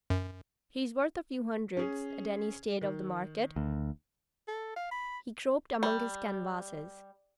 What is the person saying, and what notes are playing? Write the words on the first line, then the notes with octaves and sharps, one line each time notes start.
She's worth a few hundreds at any state of the market.' He groped among his canvases.
F#2
C#4 G#4
D#3
D2
A4
F5
B5
G3